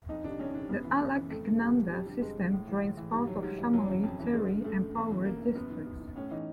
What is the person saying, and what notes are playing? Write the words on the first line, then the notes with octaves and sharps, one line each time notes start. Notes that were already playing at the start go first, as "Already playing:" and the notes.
The Alaknanda system drains parts of Chamoli, Tehri, and Pauri districts.
F2 D#4
C3 D#3 D4
F2 C#4
C3 D#3 D4
F#2 B3
C#3 E3
F#2
C#3 E3
F2 A3
D3
F2 G3
D3
F2 G3
D3 G3
F2 G#3
D3
A2
E3
A2
E3
G#2 G3
E3 F#3
G#2 G3
E3
F2 F#3
C#3 E3
F2
C#3 E3
F#2 G#3
D3
F#2 A3
D3
E2
C#3 E3
E2 A#3
C#3 E3
F#2 B3
D#3
F#2
D#3
A2 C#4
E3 D#4